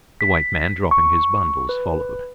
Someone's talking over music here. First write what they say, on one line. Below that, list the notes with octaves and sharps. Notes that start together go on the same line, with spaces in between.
The white man, dropping his bundles, followed.
B6
C#6
B4